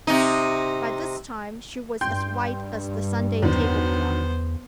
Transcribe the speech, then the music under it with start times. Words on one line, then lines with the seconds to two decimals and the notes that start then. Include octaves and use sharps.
By this time she was as white as the Sunday tablecloth.
0.07 C3 D#4
2.01 G2 G5 C6 G6
3.42 E2 D3 D#3 F#3 B3 C5